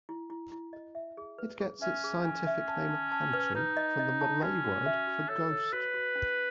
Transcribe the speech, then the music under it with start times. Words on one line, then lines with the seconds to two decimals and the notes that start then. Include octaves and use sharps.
It gets its scientific name "hantu" from the Malay word for ghost.
0.09 E4
0.30 E4
0.52 E4
0.73 D#5
0.95 E5
1.17 G#4
1.38 B4
1.60 G#4
1.81 C#4 E5
2.04 G#4
2.25 G#5
2.47 E5
2.68 A5
2.90 A5
3.12 A5
3.33 B4
3.55 D#4 B4
3.77 D#5
3.99 D#5
4.21 A5
4.42 C#4 F#4
4.64 F#4
4.86 E5
5.07 F#4
5.29 A4 C#5
5.51 C#5
5.73 F#4 B4
5.94 F#4
6.15 C#4